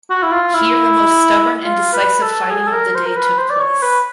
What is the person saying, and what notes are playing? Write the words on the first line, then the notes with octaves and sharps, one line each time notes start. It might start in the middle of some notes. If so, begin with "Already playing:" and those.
Here the most stubborn and decisive fighting of the day took place.
F#4
E4
F4
E4
F4
B4
A4
G#4
A4
A#4
C5
A#4
B4
C5
D5
C#5
B4